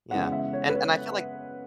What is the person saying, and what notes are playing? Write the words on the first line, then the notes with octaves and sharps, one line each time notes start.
yeah, and and I feel like
C#3 E3 G#3 B3 F#5
E5
C#5
B4
C#5